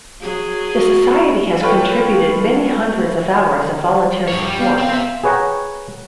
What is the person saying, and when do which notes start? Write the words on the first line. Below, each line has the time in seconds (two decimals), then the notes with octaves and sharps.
The Society has contributed many hundreds of hours of volunteer support.
0.20 F#3 G#4
0.72 F#4
1.61 F4 A4 B4 C#5 G5
4.28 G2 C#5
4.45 G3
4.59 B3 F5 C7
4.78 C4
4.89 C4 E5
5.23 G#4 B4 C#5 F#5 G5 A#5